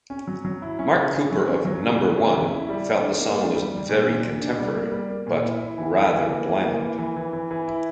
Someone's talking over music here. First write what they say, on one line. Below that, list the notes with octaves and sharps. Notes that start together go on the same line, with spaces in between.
Mark Cooper of "Number One" felt the song was "very contemporary" but "rather bland".
C#4
F#3
F#3
E4
C#4
C#3
C#4
F#3
C#4
F#3
C#3
C#4
C#3
C#4
E4
G3
G3
D4
A#3
D4
G3
G3
A#2
A#2
A#2
D4
G3
A#3
G3
A#3
A#2
E4
E4
E3
E3
E3
A#3
E3
A#3
E3
E3
E3
E3
E3
E4